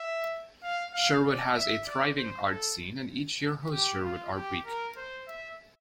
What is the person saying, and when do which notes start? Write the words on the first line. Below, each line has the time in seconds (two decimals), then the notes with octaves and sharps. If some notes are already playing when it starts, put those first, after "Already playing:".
Sherwood has a thriving arts scene and each year hosts Sherwood Art Week.
Already playing: E5
0.63 F5
0.94 F5
1.25 D5
1.56 E5
1.87 D5
2.18 C5
2.48 A4
3.72 G4
4.03 F4
4.35 G4
4.65 A#4
4.97 C5
5.28 E5